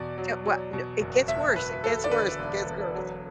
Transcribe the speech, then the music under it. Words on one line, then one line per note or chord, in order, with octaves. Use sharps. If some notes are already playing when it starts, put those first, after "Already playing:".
so wha no, it gets worse, It gets worse, It gets worse,
Already playing: E2 B2 D5
F#3
F#3
B2
F#1
E1 E5
E1 B4
E1 A4
D5
D3 B4
E1
E1
F#3